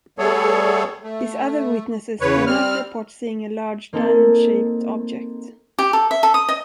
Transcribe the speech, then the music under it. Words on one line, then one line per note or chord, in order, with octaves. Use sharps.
These other witnesses did not report seeing a large diamond-shaped object.
G3 A3 B3 G#4 A4 C#5
A3
E2 C#3 B4 C#5
G3 C4 F6
A#3 C4 D#4 A4
G4
A4
E5
A4
D#6
D#5